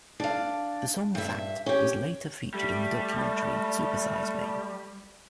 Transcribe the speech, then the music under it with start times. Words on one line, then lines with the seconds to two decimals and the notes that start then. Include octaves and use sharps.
The song "Fat" was later featured in the documentary "Super Size Me".
0.20 D4 F5
1.15 G2 E5
1.66 C#4 G4
2.54 G3 A3